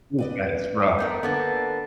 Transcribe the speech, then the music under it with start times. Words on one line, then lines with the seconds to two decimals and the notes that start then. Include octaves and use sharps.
Ooh, that is rough.
0.19 B4 D5 D#5
0.99 A3 B3 A#4 G5
1.23 D3 A#3 B3 A4 A5